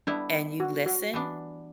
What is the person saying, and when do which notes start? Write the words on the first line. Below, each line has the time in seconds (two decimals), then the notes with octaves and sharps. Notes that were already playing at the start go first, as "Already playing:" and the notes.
and you listen
0.07 G3 B3 D4 E4
0.60 F#4
0.86 F#4
1.13 E3 B3 D4